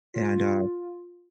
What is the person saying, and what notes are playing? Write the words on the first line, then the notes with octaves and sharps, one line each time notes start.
and, uh,
F4